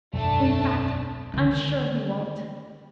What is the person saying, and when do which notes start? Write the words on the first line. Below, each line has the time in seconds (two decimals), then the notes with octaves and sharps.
In fact, I'm sure he won't.
0.14 E1 B1 F#2 A3 D4 A5
1.34 D3 D#3